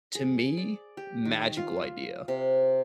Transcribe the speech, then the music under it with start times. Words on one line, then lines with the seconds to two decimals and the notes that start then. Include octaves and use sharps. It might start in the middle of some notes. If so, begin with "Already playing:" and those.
to me, magical idea,
0.15 G#4
0.57 D5
0.97 G4
1.25 D#3
1.57 F4
2.28 C3